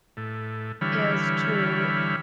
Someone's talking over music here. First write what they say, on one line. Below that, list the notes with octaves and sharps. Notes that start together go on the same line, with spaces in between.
is to
A2
D3 E3 G3 C#5 B5 F6